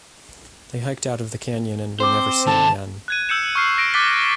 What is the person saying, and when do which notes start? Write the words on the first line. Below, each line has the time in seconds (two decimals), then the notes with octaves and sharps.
They hiked out of the canyon and were never seen again.
2.00 C4 C5 C6 D6
2.47 D#3 A4 A5
3.08 F#6 G#6 D#7
3.29 E6 G6 C#7 E7
3.55 C#6 F6 C7 D#7
3.77 E6 A#6 D7 E7
3.94 D6 F#6 A6 B6 G7